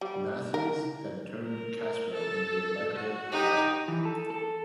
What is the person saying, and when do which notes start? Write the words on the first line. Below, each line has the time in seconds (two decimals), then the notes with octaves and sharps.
Matthews had turned Castro into a likable rebel.
0.01 G3
0.54 A#4
1.43 A#4
2.12 A4
2.95 F#4
3.32 D#4 G4
3.88 E3
4.05 A4
4.30 A4